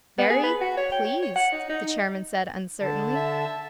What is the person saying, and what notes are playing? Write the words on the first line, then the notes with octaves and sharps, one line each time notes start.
"Very ... pleased," the chairman said uncertainly.
B3
G#4
B4
F#4
C#5
G5
C#5
C#5
F#5
D#4
D#4
D3 A5
E5